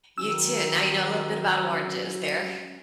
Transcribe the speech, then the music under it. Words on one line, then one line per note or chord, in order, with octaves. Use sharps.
You too. Now you know a little bit about oranges. They're
D#3 F#3 C#4 E6